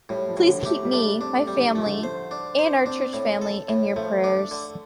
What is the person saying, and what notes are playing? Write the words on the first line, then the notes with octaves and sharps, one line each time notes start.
Please keep me, my family and our church family in your prayers.
A2 G3
F3
A2
D3
A3 G4
G3
A3 D4
C4 D4
A3
G3
D3
F3 A3
D3
F3
C5
D4
C5
C4 D4
A2
A4
A2
F3 A3
D4
D3